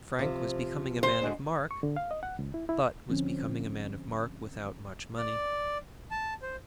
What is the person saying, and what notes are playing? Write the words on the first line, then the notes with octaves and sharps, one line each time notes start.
Frank was becoming a man of mark,--but was becoming a man of mark without much money.
C3 F3
C5
D3 G#3 F#4
C#6
D3
F5
D#5
F#5
C#2
E4
E4
D3 F3 C4 C#4
D5
A5
C5